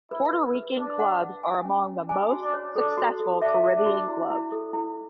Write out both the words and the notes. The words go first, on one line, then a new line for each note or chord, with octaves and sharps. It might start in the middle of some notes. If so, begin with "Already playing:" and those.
Puerto Rican clubs are among the most successful Caribbean clubs.
E4 B4
B4
E4
B4
D4 B4
F#5
B4
G#5
C#4
C#4
D4 G#5
F#4
D4
C#5
D4 A4
F#4
A4
D4 E5
E5
D4
F#4
E4
E4
A4
E4